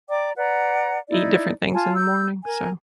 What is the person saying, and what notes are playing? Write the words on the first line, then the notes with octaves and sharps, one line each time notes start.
eat different things in the morning. So.
D5 G5 A#5 D6
B4 D5 F#5 A#5
D#4 E4 D5
F4 G#5 A5
E6 G6
A#4 G#5